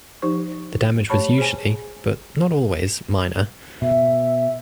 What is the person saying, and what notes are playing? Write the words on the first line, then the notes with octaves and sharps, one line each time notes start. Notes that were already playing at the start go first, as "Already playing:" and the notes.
The damage was usually, but not always, minor.
F3 D#4 G4 C5 C#6
A3 G4 C#5 A5 B5 C#6
G#4 C5 G#5
B2 E5